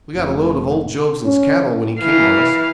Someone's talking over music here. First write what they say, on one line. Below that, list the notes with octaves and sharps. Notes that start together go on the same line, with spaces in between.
We got a lot of old Jobson's cattle when he came on us.
F1
C#4
E3 F5